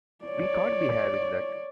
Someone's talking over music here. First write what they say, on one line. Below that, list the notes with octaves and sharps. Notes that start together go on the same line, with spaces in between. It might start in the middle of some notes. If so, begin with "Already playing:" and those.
We can't be having that!
C#5 D5